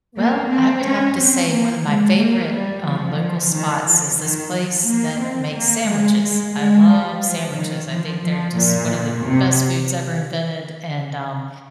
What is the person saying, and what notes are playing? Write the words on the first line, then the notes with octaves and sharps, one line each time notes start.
Well, I would have to say one of my favorite, um, local spots is this place that makes sandwiches. I love sandwiches, I think they're just one of the best foods ever invented, and, um,
A#3
C4
C#4
C4
A#3
G#3
A#3
G3
F3
D#3
F3
D#3
F3
A#3
C4
A#3
G#3
G#3
G#3
G3
F3
D#3
F3
F3
A#2
C3